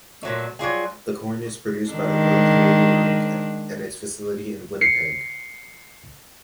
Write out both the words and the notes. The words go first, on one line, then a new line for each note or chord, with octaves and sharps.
The coin is produced by the Royal Canadian Mint at its facility in Winnipeg.
A#2 F#3 A3
F#3 G3 F4 G#4
D#3 G#3 D4
C7 C#7